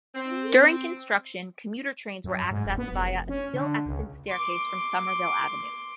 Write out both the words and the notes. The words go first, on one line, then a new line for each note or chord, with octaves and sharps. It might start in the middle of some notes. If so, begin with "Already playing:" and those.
During construction, commuter trains were accessed via a still-extant staircase from Somerville Avenue.
C4
F#2
G#2
E1
B3
F1
C#4
D3
C#2
C6 D6